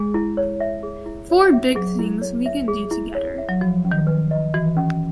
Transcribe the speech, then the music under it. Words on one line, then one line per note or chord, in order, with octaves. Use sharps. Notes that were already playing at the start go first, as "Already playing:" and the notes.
Four big things we can do together.
Already playing: G#3 G#4
E4
C#5
E5
G#4
E4
C#5
E5
F#3 G#4
E4
C#5
E5
G#4
E4
C#5
E5
F#3
F3 F#4
C#4
D#3
B4
D#5
E3 F#4
C#4